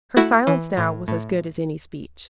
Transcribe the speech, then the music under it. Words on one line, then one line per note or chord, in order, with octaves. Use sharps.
Her silence now was as good as any speech.
A3 E4 F#4
E3
A2
A2